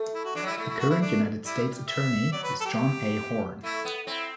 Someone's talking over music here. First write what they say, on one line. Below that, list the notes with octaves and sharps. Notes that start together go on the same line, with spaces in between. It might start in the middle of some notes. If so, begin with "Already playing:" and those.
The current United States Attorney is John A. Horn.
Already playing: A3
E4
F#4
E3 D4
F#3
E4
G3
A3 E4
E4
F#4
E4
D4
G3 E4
E5
F#3 D5
B4
A4
G4
A3 E4
B3
C4 E4